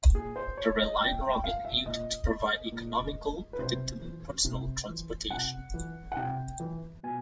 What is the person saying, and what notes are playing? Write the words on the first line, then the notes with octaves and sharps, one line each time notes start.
The Reliant Robin aimed to provide economical, predictable personal transportation.
A#2 G#4
C5
C#5
D#5
A#2 G5
G5
F5
E5
A#2 D#5
A#2
B4
C3 C5
E3
C3
E3
C3 F#5
E3
F#5
C3 G5
E3
B2 G#5